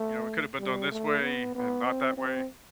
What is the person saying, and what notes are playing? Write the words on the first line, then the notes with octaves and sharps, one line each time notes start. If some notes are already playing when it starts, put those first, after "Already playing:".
you know, it could have been done this way, and not that way.
Already playing: A3
G3
A3
B3
B3
C4
C4